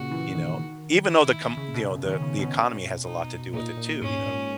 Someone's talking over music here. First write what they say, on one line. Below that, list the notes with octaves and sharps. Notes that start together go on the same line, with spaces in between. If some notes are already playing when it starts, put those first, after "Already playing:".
you know, even though the com you know, the the economy has a lot to do with it too, you know.
Already playing: A#2 C#3 F#4
E3
D#3
E4
C#3
B2
C#3
D#3 C#4
C#3
B2
D#4
A#2 D#4
A#2
G#2 C#4
A#2